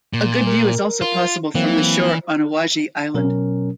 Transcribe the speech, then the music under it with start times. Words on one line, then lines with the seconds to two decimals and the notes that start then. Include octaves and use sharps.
A good view is also possible from the shore on Awaji island.
0.13 A#2
0.47 A#4
1.01 F4
1.55 E3 F#3 A#3 C4
3.14 B2 F#3 C#4 A#4